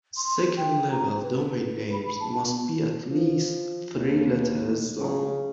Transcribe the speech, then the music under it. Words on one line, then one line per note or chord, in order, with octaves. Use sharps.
Second-level domain names must be at least three letters long.
C6
F#4
G5
A#5
C4
B4
B4
B5
A5
B3
F3
D#2
C#3